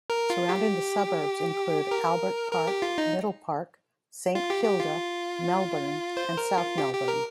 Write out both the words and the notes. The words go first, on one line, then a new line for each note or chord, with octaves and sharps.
Surrounding suburbs include Albert Park, Middle Park, Saint Kilda, Melbourne and South Melbourne.
A#4
F4
G4
A#4
A#4
G4
F4
D#4
F4
G4
G4
F4
C5
A#4
F4
G4
G4
A#4